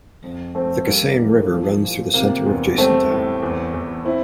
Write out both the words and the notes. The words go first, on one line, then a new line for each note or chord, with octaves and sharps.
The Kesang River runs through the center of Jasin Town.
F2
F2 A3 C4
G3 A#3
E3
F3
A#2
C3 A#3
E2
G3 A3 C4
A2
E2
E2
C4 E4